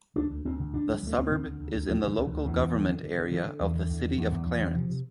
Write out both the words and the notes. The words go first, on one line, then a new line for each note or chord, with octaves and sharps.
The suburb is in the local government area of the City of Clarence.
D2 D4
D2
D2 C4
D3
D3 D4
D2
G3
D2 A3
D2 A#3
D3 C4
D2
D2
D2
D2 F3
D2
D3
D2
D3
D2
E2 E3
E2
D3
D3
D3
D3
D3 E3
D3
E2
D3
E2
D3
E2
E2
E2
D3
C3 F3
C3